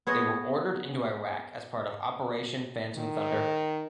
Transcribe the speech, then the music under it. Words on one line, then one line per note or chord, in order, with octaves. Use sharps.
They were ordered into Iraq as part of Operation Phantom Thunder.
B3 G#4 C#5 D#5
D#3